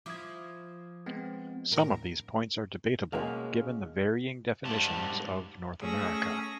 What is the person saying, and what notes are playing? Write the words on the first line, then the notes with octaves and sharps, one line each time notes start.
Some of these points are debatable, given the varying definitions of North America.
F3 E4 D6 D#6 G#6
G#3 B3 C4
D2 A2 A#4
B2 G#3 A#3 C#4 F5
G#2 G3 A5
A3 C#4 G#4 E6 A#6